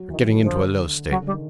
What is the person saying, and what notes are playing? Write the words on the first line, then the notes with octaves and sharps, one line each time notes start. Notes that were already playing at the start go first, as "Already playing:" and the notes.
You're getting into a low state.
Already playing: F#3
D#3 E3
D#3
D3 F3
C#3 F#3
D3
G3
D#3